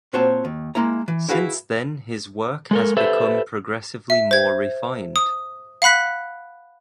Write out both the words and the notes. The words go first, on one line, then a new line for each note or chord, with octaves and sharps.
Since then his work has become progressively more refined.
A#2 C4 F#4 C5 C#5 A5
D#2
G#3 A#3 E4 A#5
E3
E4 F#4 G#4 B4 F5
G#3 A4 A#4
G4 A4 B4 C5 E5
E5
C5 G#6
D#6
F5 F#5 B5 F#6 B6